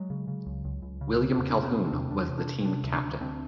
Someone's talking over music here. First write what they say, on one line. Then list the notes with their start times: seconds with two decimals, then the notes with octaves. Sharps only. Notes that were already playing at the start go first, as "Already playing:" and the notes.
William Calhoun was the team captain.
Already playing: F#3 G#3
0.10 C#3
0.28 C#3
0.46 C#2
0.65 C#2
0.82 C#2
1.01 C#3
1.19 C#3
1.38 E2
1.49 D4
1.56 C3
1.62 B3 C#4
1.74 C3
1.86 C4 D4
1.93 E2
2.10 E2 D4
2.29 C3
2.38 D4
2.47 C3
2.65 C3 D4
2.84 D2
2.93 D4
3.01 D2
3.20 D2 C4 D4